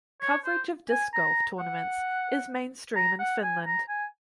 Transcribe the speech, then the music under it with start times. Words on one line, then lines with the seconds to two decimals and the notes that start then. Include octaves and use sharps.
Coverage of disc golf tournaments is mainstream in Finland.
0.22 C#5
0.45 C5
0.90 G#5
1.14 A#5
1.59 F#5
2.96 A#5
3.20 F#5
3.43 G#5
3.66 A#5
3.89 G#5